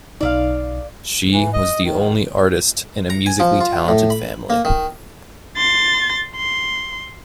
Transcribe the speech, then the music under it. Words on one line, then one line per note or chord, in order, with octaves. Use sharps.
She was the only artist in a musically talented family.
B1 D#4 D5 E5 F5
E3
D#5
D#3
A#5
G#5
F3
F4
A2
B5
A#3
D#3
C6 A6
C6